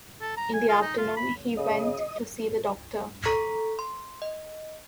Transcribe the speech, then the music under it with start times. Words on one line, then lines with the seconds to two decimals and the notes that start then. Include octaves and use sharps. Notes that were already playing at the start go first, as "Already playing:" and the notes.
In the afternoon he went to see the doctor.
0.21 A4
0.37 A#5
0.54 G#5
0.69 F4
0.82 D#4
0.98 F4
1.17 B5
1.57 C#3 D#5
3.25 A4 A#5 C#6 B6
3.79 C6
4.22 D#5